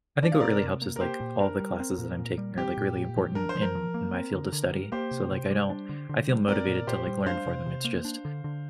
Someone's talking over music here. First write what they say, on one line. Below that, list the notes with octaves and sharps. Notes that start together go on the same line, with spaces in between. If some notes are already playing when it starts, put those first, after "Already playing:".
I think what really helps is, like, all the classes that I'm taking are, like, really important in in my field of study, so, like, I don't I feel motivated to, like, learn for them, it's just
D4 D5
F5
C3 A#4 D5
C3
A#3
A#4
A#3 G4 C5
A#2
D4 A#4
G3
C4
A#2
A#2
G3
C4 G4
A#2
A#2
F3
D4 A#4
C5
F3
A#4
F3
A#3
C4
D3
D3
G3
A#3 G4 C5
C3
C3
G3
D4
D3
D3
G3
C4 A#4 D5
A#2
A#2 G4 C5
G3
D4 C5 F5
C3
C3
A#3
D4
D3
D3